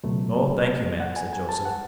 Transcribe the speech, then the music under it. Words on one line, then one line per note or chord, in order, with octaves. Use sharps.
"No, thank you, ma'am," said Joseph.
C#2 B2 F#3 A3
F#5
G#5
G#5
A5
F#5